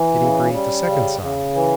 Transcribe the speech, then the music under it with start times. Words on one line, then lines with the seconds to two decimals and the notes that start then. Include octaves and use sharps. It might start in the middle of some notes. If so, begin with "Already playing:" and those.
Kitty breathed a second sigh.
Already playing: E3
0.19 C#3
0.53 G3
0.87 C#3
1.20 C#3
1.55 E3